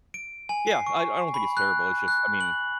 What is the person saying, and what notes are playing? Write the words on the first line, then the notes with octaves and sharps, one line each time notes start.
Yeah. I I don't think it's terrible. It's just I mean,
D7
G#5
C7
C#6
B5
F#6
F#6
F#7